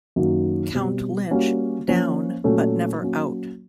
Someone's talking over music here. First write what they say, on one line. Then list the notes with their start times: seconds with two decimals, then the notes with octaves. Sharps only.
Count Lynch down but never out.
0.16 F#2 D#3 F#3 A#3
0.73 B2 G3 C4
1.31 G3 A#3 C#4 F#4
1.88 F3 A#3 C#4
2.44 A#2 F#3 A3 C#4
3.02 F#3 A#3 C#4